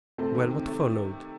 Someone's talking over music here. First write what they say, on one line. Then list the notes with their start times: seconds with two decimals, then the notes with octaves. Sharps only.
"Well, what followed?"
0.18 C3 A3 C4
0.35 D#3
0.51 C3
0.67 A3